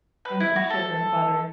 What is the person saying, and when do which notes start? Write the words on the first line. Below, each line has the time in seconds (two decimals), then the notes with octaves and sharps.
and some sugar and butter,
0.25 B4
0.40 E4
0.56 F#4
0.70 A4